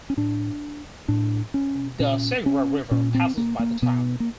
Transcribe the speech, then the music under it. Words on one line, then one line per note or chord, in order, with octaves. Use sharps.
The Segura River passes by the town.
C#4
A2 D4
A2 D4
C#4
A#2 C#4
C#4
A#2 C#4
C4
A#3
A#3
B2 B3
A#3